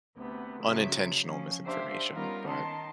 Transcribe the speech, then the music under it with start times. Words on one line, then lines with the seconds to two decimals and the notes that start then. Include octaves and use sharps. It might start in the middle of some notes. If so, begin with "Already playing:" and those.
unintentional misinformation, but
0.16 D2 C3 B3
0.63 C#3 F3 F#3 E5
1.23 F3 C#4
1.65 D4 G4 C5 E5 F5 C6
2.12 G3 B3 C#4 D#4 F4 A#4
2.47 D#3 A5 C6